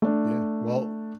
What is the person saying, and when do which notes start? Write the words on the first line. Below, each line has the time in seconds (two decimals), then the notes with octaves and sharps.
Yeah, well,
0.02 A3 D4